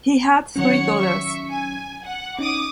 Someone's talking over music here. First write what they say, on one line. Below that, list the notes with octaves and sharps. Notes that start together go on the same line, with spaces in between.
He had three daughters.
D#3 F#3 C#4 C#5 F#5 C#7
E5 C#6
G#5
F#5
C#4 D#4 D6 D#6